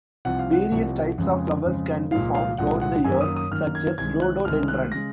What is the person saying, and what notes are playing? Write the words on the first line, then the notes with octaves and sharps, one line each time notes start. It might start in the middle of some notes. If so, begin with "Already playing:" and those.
Various types of flowers can be found throughout the year, such as Rhododendron.
C2 C3 F3 F#5
F5
F#5
C2 C3 F3
F2 C#3 G#3
F2 C#3 G#3
C2 A#2 F3 G#3 F5
F5
C2 A#2 F3 G#3 F#5
F#5
F#2 D#3 A#3 G#5
D#6
D#6
F#2 D#3 A#3 F6
G#6
C2 C3 D#3 G#3 G#6
F#6
C2 C3 D#3 G#3 F6
F#6
C#3 G#3 A#6